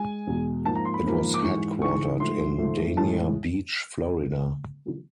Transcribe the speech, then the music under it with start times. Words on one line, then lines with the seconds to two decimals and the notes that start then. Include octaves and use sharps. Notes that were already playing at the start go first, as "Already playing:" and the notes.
It was headquartered in Dania Beach, Florida.
Already playing: G#3 G#5
0.27 E2 B2 G#3
0.65 G#2 F3 A#3 A5
0.75 A#5
0.85 C6
0.94 B5
1.05 G#2 F3 A#3
1.34 D6
1.42 G#2 E3 G#3 C#6
1.81 G#2 E3 G#3 C#6
2.20 G#2 F3 A3 C6
2.58 G#2 F3 A3
2.97 A2 E3 G#3 A5